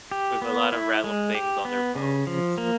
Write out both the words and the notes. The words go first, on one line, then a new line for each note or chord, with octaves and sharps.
with a lot of random things on their phones.
G4
B3
E4
G#3
G4
B3
C#3
F3
A#3